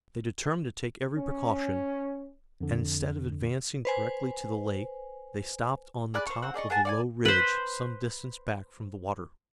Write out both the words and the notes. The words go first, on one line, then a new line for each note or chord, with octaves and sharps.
They determined to take every precaution, and instead of advancing directly to the lake they stopped on the top of a low ridge some distance back from the water.
C#4
F2 D3
B4 C5 G#5
G#4 D5 B5 F#6
C5 C#6
C4 F#4 F#5
G#4 D5 D#5 C#6
G#4 F#5 G#5 A5
D5 F#5 G#5
B4 C5